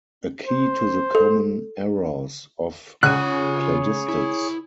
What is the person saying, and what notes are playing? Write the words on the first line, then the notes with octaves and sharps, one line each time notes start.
"A key to the common errors of cladistics".
C5
A4
C#3 F4 G#4 C#5 F#5 F#6 D#7
E4